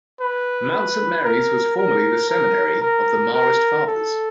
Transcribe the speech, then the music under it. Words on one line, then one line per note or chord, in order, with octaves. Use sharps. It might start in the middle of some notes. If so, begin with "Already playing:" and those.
Mount Saint Mary's was formerly the seminary of the Marist Fathers.
B4
B4
A#4
A#4
A#4
A#4
A#4
A4